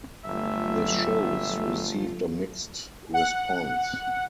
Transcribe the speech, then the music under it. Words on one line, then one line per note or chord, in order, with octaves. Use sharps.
The shows received a mixed response.
G1 F#3 A3 F4 E5
F#5